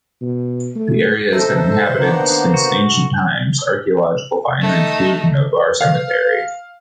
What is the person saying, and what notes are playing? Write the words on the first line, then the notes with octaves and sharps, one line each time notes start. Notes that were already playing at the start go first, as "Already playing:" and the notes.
The area has been inhabited since ancient times; archaeological finds include an Avar cemetery.
B2
A3
D#4 A4 C5 E5
D#3 A#3 B3 D4 F#5 A#5
D3 F#4
A3 D#4
F5